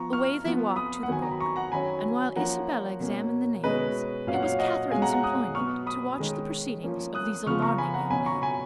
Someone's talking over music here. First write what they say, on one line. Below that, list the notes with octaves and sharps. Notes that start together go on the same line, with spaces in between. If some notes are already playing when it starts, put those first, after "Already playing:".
Away they walked to the book; and while Isabella examined the names, it was Catherine's employment to watch the proceedings of these alarming young men.
Already playing: F3 B3 A#5 C#6
C#6 F6
F3 B3
B5 D#6
F#5
D#3 F#3 B3 G#5
A#5
B5
A#5 C#6
F#5 A#5
D#3 F#3 C#4 G#5 B5
F3 A#3 C#4 F#5 A#5
B2 A#3 C#4
B2 G#3 C#4 B4 D#5
A#2 F#3 C#4 F5
F#5
C#5 F5
D#5 F#5
B2 G#3 C#4 F5 G#5
F#5 A#5
F#5 A#5
D#6 F#6
B2 F#3 B3 C#6 F6
B5 D#6
D#3 G#3 C#4
F3 A#3 C#4
D#6 F#6
C#3 F3 B3 C#6 F6
A#5 C#6
G#5 B5
F#5 A#5
B2 F#3 C#4 G#5 B5
A#5 C#6
G#5 B5